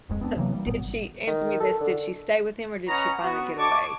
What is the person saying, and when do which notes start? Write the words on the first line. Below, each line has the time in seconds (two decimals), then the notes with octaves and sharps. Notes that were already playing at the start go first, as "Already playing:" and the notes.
Th Did she answer me this: Did she stay with him or did she finally get away?
0.09 D#1 F2 G#3
0.21 B3 C4 D4
0.36 C3 E3 F#3 A#3
0.53 G3
0.66 G#1 A#2 B3
1.27 D#3
1.60 A4
1.81 D3
2.88 C#4 B4 C#5 D#5 F#5 A#5
3.23 B3 F#4
3.57 C#5 D#5 A5 C#6 D6